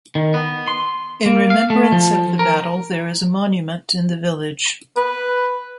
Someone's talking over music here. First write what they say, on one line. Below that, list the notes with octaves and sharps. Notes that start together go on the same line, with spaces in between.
In remembrance of the battle there is a monument in the village.
D#3
B3
C6
A#3
F5
A3
F3
A#4
B4